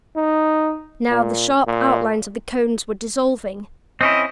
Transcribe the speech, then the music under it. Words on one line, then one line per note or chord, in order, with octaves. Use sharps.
Now the sharp outlines of the cones were dissolving.
D#4
A#2
A#2
C4 C#4 E4 D#5